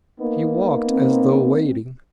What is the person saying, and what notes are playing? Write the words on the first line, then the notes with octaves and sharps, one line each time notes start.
He walked as though wading.
A#3 B3 D#4
C4